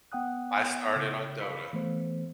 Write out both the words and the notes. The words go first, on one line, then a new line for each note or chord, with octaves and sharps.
I started on Dota.
B3 F#5 G5 D#6 F#6
C#3
F5 B5 B6
E3 A3 B3 C5